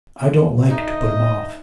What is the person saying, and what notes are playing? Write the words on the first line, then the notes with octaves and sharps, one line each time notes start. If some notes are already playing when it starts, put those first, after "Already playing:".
I don't like to put him off.'
D2 D#4 D#5